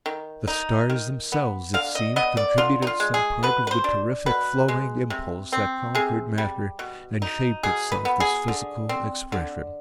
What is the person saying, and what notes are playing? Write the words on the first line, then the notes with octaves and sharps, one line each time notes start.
The stars themselves, it seemed, contributed some part of the terrific, flowing impulse that conquered matter and shaped itself this physical expression.
D#3
D#4
D#3
B3
D3 F5
D#5
B3 D#5
D5
D3 F4
D#4
F4
G#3
G#4
B2 B4
B4
C5
D4
B2 B4
G#3
C3
C4
C3 G#4
G3
B2
D#4
B2 G#4
B4
B3
G#4
D3
C4
D3